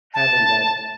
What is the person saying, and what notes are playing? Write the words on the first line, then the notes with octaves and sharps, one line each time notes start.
having that
A5